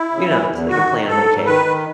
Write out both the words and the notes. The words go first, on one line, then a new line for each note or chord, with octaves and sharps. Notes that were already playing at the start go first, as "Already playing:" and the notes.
you know, so they can plan a vacation,
Already playing: E4
C#3
E3
E2
D#3 F#4
D#3
G#2 A4
G#2
D#3 B4
D#3